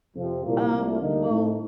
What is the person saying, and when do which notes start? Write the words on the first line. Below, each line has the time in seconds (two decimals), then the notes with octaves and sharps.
Um, well,
0.15 F2 C3 F3 C4
0.44 C2 A#2 F3 A#3
0.72 C2 A#2 A3
1.00 D2 D3 G3 A#3 D#4
1.29 A2 A3 C4 D#4